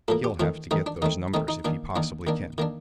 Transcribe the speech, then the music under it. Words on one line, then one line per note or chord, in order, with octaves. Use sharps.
He'll have to get those numbers if he possibly can.
A2 F3 A#3 A4
G4
D#3 A3 C4 F4
D#3 A3 C4 D#4
D4
D#3 A3 C4 D#4
D#3 A3 C4 D#4
D#4
D#3 A#3 D4
D#3 A#3 D4
D#3 A#3 D4
D#3 A#3 D4